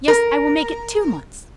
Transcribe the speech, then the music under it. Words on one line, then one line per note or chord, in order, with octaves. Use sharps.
Yes, I will make it two months.
A#4